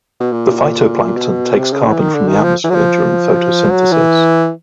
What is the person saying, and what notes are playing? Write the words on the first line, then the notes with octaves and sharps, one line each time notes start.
The phytoplankton takes carbon from the atmosphere during photosynthesis.
B2
A#2
B2
C3
C#3
E3
D#3
D3
D#3
F3
E3
F#3
F3
F#3
E3